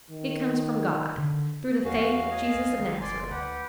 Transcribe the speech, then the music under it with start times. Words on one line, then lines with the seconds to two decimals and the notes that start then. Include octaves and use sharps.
It comes from God, through the faith of Jesus of Nazareth.
0.10 D#3
1.18 D3
1.85 E2 C#4 F#4 F5
2.31 D#5 G#5
2.54 B1
2.80 D#3
3.01 F#1 D5 G#5 C6
3.31 D2 G4 B4 F#5